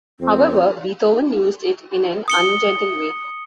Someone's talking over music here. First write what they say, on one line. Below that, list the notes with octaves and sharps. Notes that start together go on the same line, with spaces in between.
However, Beethoven used it in an ungentle way.
F2 C4
D#6 C#7 G7